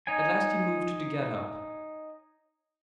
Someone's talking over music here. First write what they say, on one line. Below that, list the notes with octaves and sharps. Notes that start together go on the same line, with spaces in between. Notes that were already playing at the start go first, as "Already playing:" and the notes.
At last he moved to get up.
D#4 C#5 G#5